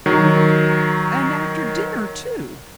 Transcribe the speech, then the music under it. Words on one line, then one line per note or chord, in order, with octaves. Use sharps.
"And after dinner, too!"
D#3 F#3